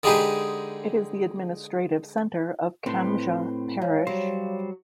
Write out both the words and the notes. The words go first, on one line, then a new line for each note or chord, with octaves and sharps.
It is the administrative centre of Kambja Parish.
D3 G#3 D#4 G4 G#4 B4
A2 C4 B4 C6
G#2 C#5 F5
F#3 G3 C5